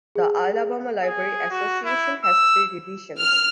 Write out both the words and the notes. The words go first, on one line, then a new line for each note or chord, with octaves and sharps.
The Alabama Library Association has three divisions.
G#4
G#4
F#4
E4
E6
F6